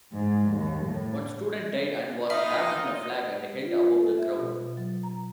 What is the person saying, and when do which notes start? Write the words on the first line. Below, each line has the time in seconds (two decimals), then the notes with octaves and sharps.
One student died and was wrapped in a flag and held above the crowd.
0.13 G#2
0.52 D#2
0.86 A2
2.30 G#2 D#4 F4 E5 F5 B5 D#6
2.63 D#5
3.65 F4
4.00 A4
4.18 E5
4.40 B2
4.77 F#3
5.03 A#5